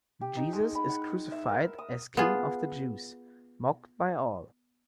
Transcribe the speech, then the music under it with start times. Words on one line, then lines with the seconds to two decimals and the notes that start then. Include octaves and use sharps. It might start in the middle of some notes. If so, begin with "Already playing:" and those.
Jesus is crucified as king of the Jews, mocked by all.
0.21 G4
0.37 D#4
0.53 G#3
0.75 B5
0.89 F#5
1.32 E5
1.49 A#4
1.78 D#6
2.17 B3 F4 G#4